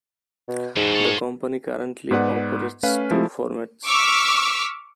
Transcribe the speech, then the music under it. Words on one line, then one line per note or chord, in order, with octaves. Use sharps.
The company currently operates two formats.
B2
E2 G#2 B2
A4 C#5
G#2 B3 B4 D5 F#5 D6
A3 C#4 B4 F5
F3 G#3 A3 E4
C#6 D6 E6 F6 B6